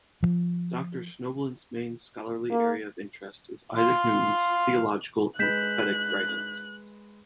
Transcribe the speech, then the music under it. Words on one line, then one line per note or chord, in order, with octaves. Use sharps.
Doctor Snobelen's main scholarly area of interest is Isaac Newton's theological and prophetic writings.
F3
A#3
F5 C6
G#3 B4 F#6 G6 B6 E7